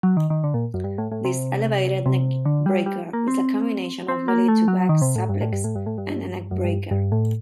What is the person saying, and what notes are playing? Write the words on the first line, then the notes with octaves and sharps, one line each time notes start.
This elevated neckbreaker is a combination of belly-to-back suplex and a neckbreaker.
F#3
D#3
D#3
D3
A#2
F#2
G2
A2
A2
C3
C3
D3
G3
G3
A#3
C4
C4
A#3
A3
F#3
D#3
C3
A2
G2
A2
G2
A2
G2
A2
G2
F#2
G2
G2
A2